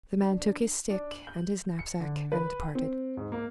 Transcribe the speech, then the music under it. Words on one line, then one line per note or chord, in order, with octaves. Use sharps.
The man took his stick and his knapsack and departed.
D4
D4
F#7
G6
C#7
D3
B4
G5
C4
G#2
A#3